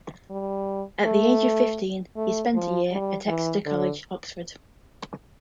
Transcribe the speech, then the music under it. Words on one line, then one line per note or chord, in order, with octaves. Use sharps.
At the age of fifteen, he spent a year at Exeter College, Oxford.
G3
A3
A3
F3
G3
E3
D3